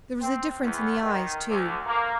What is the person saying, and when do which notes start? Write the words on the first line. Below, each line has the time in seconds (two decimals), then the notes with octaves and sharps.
There was a difference in the eyes, too.
0.21 C4
0.62 E2
1.03 D#3
1.49 D2
1.86 A#3